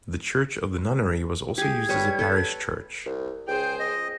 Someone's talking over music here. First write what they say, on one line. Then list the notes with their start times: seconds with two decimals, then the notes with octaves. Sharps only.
The church of the nunnery was also used as a parish church.
1.58 G4 G#4 G#6
1.89 G3 B4 C#5
2.19 A4 B4
3.06 C2
3.48 C#2 G#4 C5 G5
3.79 D#5